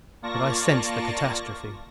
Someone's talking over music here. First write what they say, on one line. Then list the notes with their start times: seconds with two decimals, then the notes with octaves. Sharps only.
But I sensed the catastrophe.
0.22 A#3 F4 D5 A5 C#6 A#6